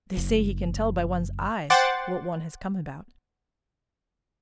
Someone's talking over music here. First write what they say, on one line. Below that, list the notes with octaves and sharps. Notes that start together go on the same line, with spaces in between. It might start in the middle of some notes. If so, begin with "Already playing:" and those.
They say he can tell by one's eyes what one has come about.
F#1
C5 F#5 G5 C6 D6 A6